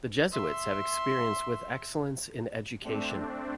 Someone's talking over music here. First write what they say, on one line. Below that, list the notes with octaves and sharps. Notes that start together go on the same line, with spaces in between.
The Jesuits have experience with excellence in education.
E5 C6
A3 C4 D4